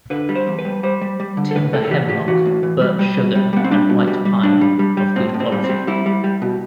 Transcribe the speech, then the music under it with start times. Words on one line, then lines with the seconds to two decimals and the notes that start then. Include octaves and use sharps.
Timber Hemlock Birch Sugar and White Pine of good quality.
0.10 D3 B4
0.29 G3
0.35 C5
0.47 E2
0.59 B4
0.65 G3
0.83 G3 C5
1.01 G3
1.20 G3
1.37 D3
1.51 A4
1.56 A2 B4
1.73 A2 A4
1.85 A4
1.91 E3 G4
2.09 A2 G4
2.28 E3 F#4
2.45 A2
2.63 E3
2.81 G3
2.99 G3
3.17 B2
3.35 G3
3.53 G3 B3
3.64 C4
3.71 G3 D4
3.89 B2
4.07 G3
4.25 G3
4.43 A2 D4
4.61 G3
4.79 G3
4.97 G3
5.16 A2 C4
5.34 A2
5.40 C4
5.52 G3
5.64 C4
5.69 G3
5.87 G3 E4
6.06 G3
6.24 G3
6.42 B2